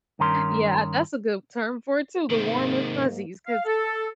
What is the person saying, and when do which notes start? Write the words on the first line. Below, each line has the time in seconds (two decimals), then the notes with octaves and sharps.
Yeah, that's a good term for it, too, the warm and fuzzies 'cause
0.19 G2 D#3 C#4 A#4 C6
2.30 G#2 C3 D#3 A#3
3.47 F5
3.66 A4